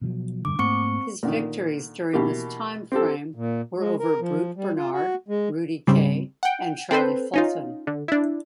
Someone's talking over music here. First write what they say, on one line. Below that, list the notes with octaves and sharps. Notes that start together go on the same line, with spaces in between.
His victories during this timeframe were over Brute Bernard, Rudy Kay and Charlie Fulton.
B2 F3 F#3
F1 G2 D3 D6
G#2 A3 A#3 C4 C#6 C#7
A#2 D3 D#3
B2 E3 A#3 G4
C4 G4 A4
A#2
G#3
A#4
F3
G3
F4
F#4
G#3
G#1 C#3 G3 C4
F#5 G5
C4 A4 B4 C5
C#4 D#4 F4
D3
D4 E4